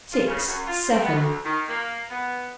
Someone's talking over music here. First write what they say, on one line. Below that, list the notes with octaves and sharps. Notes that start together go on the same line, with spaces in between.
Six! Seven!
F4
C#3
F#2
F4
C4
B3
D2
D#3
A#3
B3